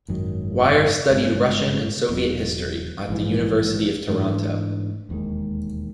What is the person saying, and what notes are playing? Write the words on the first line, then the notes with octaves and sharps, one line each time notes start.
Weir studied Russian and Soviet history at the University of Toronto.
G#1 F#2 D#3 F#3
G#1 G2 D#3 G#3
E1 E2 B2 F#3
A#1 G#2 E3
G#2 E3 A3 D4
E1 D#2 D#3 G#3